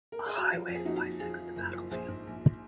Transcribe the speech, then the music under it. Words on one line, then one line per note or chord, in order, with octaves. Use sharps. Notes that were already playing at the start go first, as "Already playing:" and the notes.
A highway bisects the battlefield.
A#4
G#4
F#4
F3 F4
F2
G#4
F3 D#4 F#4
F3
F3 F4 G#4
F3
F#1
F3
A#1 G#4 C5
G#2
A#1